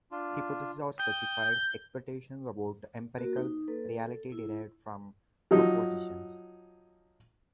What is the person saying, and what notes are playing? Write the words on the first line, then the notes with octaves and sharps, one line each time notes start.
Hypotheses are specified expectations about empirical reality derived from propositions.
D4 F4
G5 D#6 G6
A#3 F#4 A#4
D#4
A#3 A4 B4
A4
E4
F3 F#3 D#4